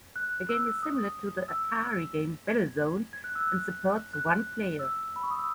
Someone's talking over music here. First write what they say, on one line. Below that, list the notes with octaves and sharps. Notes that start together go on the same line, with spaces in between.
The game is similar to the Atari game "Battlezone", and supports one player.
F#6
E6
D#6
E6
G#6
G#6
F#6
E6
F#6
F#6
E6
B5
C#6
D#6
E6